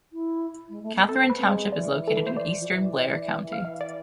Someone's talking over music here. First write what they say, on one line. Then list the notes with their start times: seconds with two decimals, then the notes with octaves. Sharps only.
Catharine Township is located in eastern Blair County.
0.12 E4
0.69 G#3
0.82 A3
0.95 B3
1.08 C4 A4
1.24 C5
1.30 B4
1.41 G#3
1.51 C5
1.72 E3 D5
2.08 A4
2.17 B4
2.27 C5
2.36 E3 D5
2.60 F3
2.69 E3
3.52 F5
3.64 E3 E5
3.81 D5